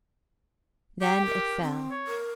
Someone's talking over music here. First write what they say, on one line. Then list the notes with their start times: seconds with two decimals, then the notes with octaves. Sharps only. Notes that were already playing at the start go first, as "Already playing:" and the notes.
Then it fell.
1.02 G4 G5
1.26 A#4
1.62 C4
1.91 C#5
2.07 A#4